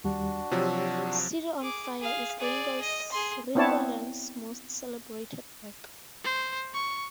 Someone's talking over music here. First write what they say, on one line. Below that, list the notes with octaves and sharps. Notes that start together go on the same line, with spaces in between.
"City on Fire" is Ringo Lam's most celebrated work.
D#2 G3 D4 F#4
C3 F3 F#3 G4 C#5 E6
G#4 D6
G#4 F5
G#4 D5
D#5
G#4 C6
B3 C4 E4 C#5 D5 A5
C5
C#6